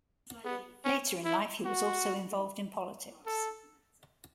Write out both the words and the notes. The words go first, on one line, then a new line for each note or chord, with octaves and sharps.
Later in life he was also involved in politics.
B3
C#4
E4
F#4
A4